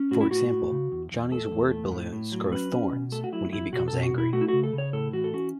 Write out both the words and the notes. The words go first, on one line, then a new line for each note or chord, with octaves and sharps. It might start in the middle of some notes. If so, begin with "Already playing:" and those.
For example, Johnny's word balloons grow thorns when he becomes angry.
Already playing: C#4
A2 F#4
E4
A2 F#4
A2
C#3
E2
E2
A3 A4
E2
A3
A2
A2
F#3
C#4 B4
C#4
B2
A3 A4
F#4
F#3 E4
E2 E4
B2 F#4
A4
B2
F#4
B2
E4
A3 F#4
E4
C#3 F#4
A4
C#3
C#5
A2 A4
E3 F#4
A4
C#4 F#4